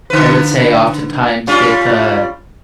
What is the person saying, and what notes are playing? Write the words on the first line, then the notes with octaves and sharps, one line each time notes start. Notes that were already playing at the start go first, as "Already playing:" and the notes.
I would say oftentimes that, uh,
D3 B4
G3 C#4 F4